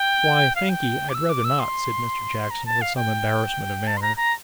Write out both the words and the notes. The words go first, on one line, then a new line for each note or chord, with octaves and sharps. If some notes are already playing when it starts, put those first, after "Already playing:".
'Why, thank'ee, I'd rather not,' said Mr. Jackson, with some embarrassment of manner.
Already playing: G5
F5
G5
D6
E6
D6
E6
C6
A#5
A5
F5
G5
A5
C6
A#5
A#5